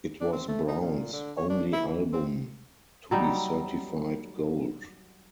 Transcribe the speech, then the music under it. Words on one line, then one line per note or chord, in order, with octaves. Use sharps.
It was Brown's only album to be certified gold.
D4
C4
A3
D#4
A#2
D3
C#5
D4
E4
E3
C4
F#3 G3 D#4